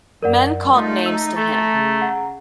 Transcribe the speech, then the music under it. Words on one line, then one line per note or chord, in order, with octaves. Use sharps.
Men called names to him.
F#2 A#4 D5 F#5
A3 D#4 F4
A#5 E6
A3 A4
C#3
F#5